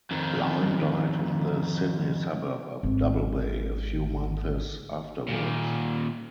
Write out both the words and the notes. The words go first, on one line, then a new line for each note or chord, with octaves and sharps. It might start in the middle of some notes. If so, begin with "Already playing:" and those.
Lyne died in the Sydney suburb of Double Bay, a few months afterwards.
F2 D#3
G#1 C4
A#2 D#3